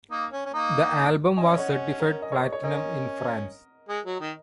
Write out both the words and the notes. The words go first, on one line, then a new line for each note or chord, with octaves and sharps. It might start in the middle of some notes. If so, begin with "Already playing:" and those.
The album was certified platinum in France.
A#3 D#4
C#4
C#4
A#3 D#4
C#4 D#5 G#5
C#5 F#5
A#4
D#5
C#5
C#5
C#4 A#4 D#5
G#3
F#3
D#3